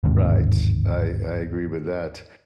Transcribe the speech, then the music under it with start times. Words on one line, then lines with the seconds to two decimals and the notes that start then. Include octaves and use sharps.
Right, I I agree with that,
0.04 G1 D#2 G#2 C3